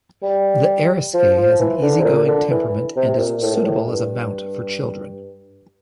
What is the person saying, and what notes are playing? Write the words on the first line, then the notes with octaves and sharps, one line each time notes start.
The Eriskay has an easy-going temperament and is suitable as a mount for children.
G3
F3
F3
E3
D3
C3
A#2
D3
E3
C3
C3
A#2
A2
A#2
A2
G2